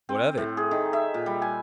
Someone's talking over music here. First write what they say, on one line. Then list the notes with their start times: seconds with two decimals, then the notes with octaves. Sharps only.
"What of it?"
0.09 C4
0.37 A2
0.57 G#4
0.71 D#3
0.93 E5
1.14 A#2
1.26 G3
1.42 G#5